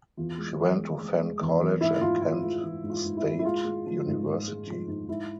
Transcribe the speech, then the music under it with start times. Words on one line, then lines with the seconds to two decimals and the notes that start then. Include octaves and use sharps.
She went to Fenn College and Kent State University.
0.17 E2 F4
0.38 G#3
0.58 E2
0.79 G#3
1.00 G#3
1.21 G#3
1.41 E2
1.61 E2
1.81 G#2 E4
2.01 G#2 F4
2.22 G#2 F4
2.42 G#3 F4
2.63 E3 F4
2.84 G#2
2.90 F4
3.04 G#2
3.17 E4
3.24 G#2
3.39 E4
3.44 G#3 F4
3.65 G#3
3.86 F3
4.07 G#2
4.27 G#2
4.48 G#3
4.67 F3
4.88 G#2
5.08 G#2 E4